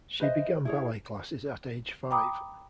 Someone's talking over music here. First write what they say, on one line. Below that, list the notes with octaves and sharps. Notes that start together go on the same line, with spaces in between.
She began ballet classes at age five.
B4 C5 D#5 E5
E4 G#4 C#5
G5 A#5 B5 D6 D#6